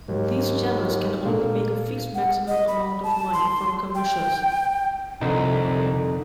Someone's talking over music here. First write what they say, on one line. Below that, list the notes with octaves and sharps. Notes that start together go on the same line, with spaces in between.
These channels can only make a fixed maximum amount of money from commercials.
D#2 G#2 F#3
A#2 A#3 D4 A4
F#5
D#5
B5
A5
C6
G5
C2 F2 D3 D#4